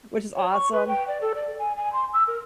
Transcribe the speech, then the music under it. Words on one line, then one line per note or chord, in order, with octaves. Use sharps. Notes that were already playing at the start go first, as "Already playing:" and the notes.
which is awesome,
C#5
C#6
B4
G5
D5
A4
D5
G#5
G#5
C6
E6
A#4